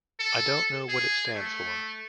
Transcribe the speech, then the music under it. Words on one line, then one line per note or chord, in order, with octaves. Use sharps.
I don't know what it stands for.
A4
G#4
A3